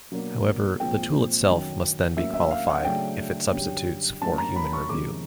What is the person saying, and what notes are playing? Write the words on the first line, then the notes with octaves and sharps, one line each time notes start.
However, the tool itself must then be qualified if it substitutes for human review.
B2 F#3 A#3 D4
A#2 F3 G#3 C4 G5
F#2 D#3 F#3
A2 F#3 A#3 C#4 E5
E5
F5
F#5
C#3 F#3 A3 D4 G5
F#2 D3 G3
A2 F#3 A#3 C#4 A5
A#5
B5
C#6
F2 C3 D#3 G#3 D6